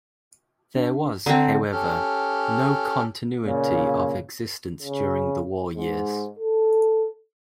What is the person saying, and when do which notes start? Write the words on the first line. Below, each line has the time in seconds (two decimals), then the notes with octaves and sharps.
There was, however, no continuity of existence during the war years.
0.76 D4
1.26 D3 C4 A#5
1.72 C#4 G4 A4 F6
3.44 A#2 C#3
4.82 C#3
5.76 G#2
6.39 A4